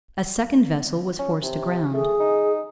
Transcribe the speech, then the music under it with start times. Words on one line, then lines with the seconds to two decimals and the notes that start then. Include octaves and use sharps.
A second vessel was forced aground.
1.19 C#4
1.42 C3
1.93 A3 G#4
2.20 D#4